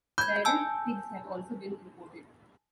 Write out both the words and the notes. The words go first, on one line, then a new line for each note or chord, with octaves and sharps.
Feral pigs have also been reported.
B5 G6 G#6
G#5 A5 E6